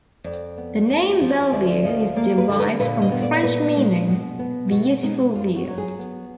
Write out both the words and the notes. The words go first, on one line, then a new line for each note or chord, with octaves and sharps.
The name Belview is derived from French meaning "beautiful view".
F2 D5
B3
F2
F3
D2 D5
F3 D#5
A#3 D5
B4
D3
B4
A#2 B4
D#5
B3
D5
A#2 B4
G#3
B2
B3
B2 F#4
G#3 D#4
F#2 F4
F#4
F#3
G#4
B3